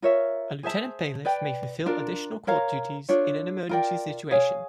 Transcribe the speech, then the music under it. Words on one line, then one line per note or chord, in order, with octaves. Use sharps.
A Lieutenant Bailiff may fulfil additional court duties in an emergency situation.
F4 A#4 C#5 E5
G#4 C5 E5 A5
B4 D5 G5
D4 F4 A#4
A#4 C#5 F5 A#5
D4 F4 A4 C#5
F4 A#4 D5 G5
G#4 C#5 F5 G#5